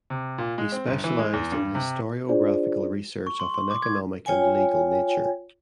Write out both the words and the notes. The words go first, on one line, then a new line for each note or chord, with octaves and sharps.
He specialized in historiographical research of an economic and legal nature.
C3
A#2
G#3
C4
G1
E3
G#3
E2
G2
C3
D4 F4 G#4 C5 D5
C#6
C6
C6
D6
G#6
F4 C#5 G5 G#5